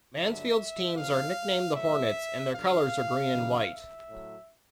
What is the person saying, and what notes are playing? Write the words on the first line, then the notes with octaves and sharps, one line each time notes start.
Mansfield's teams are nicknamed the Hornets, and their colors are green and white.
G2 D3 F#3 E5
E2 C3 F3 F5
A2 F#3 E5
G2 D3 F#3 F5
F#2 C#3 E3 G3
E5
A2 F#3